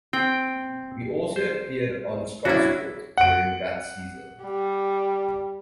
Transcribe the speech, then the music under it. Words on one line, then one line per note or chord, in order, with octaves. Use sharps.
He also appeared on "Scotsport" during that season.
C4 G5
C5
F#3 C#4 D4 E4 F#4
F#5 D7
G3